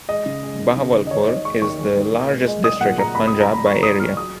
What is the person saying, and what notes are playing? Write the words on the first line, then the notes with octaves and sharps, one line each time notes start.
Bahawalpur is the largest district of Punjab by area.
G#3 D#5
C#3
G#3
D#2
C#3
D#2
D#5
D#3 C#5
D#3 D#5
G#3 C#6
D#2 C#6
G#3
D#2
A#2
G#3
G#3
G#3 D#6
A#2 F#5
A#2 A#5
C#2 B5
C#2 D#6
A#5
C#2 B5
G#3 C#6
C#2 D#6
C#2 F6
F#3 D#6